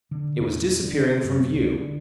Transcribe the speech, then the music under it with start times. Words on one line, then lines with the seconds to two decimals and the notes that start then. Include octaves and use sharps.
It was disappearing from view.
0.11 D3
0.40 E2 A#2 G#3 D4
0.83 D3
1.24 F#2 C3
1.53 C#2
1.73 D3